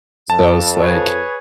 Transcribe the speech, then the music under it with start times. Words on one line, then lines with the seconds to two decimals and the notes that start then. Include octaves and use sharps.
So, it's, like,
0.30 F2 A5
0.82 G#4 B4 C#5